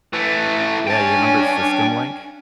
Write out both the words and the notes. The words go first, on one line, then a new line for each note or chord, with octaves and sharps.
Yeah, you remember SystemLink?
E3 A3
C#4 D4 G5 A5